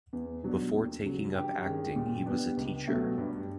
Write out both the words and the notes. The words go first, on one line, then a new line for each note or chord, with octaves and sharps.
Before taking up acting he was a teacher.
E2
B2 F#3 B3 D4
D#2
C#3 F#3
G2 G4
D#3 G#3 C#4
A#2
G3 B3 D4
C#2
B2 F#3 A3
G2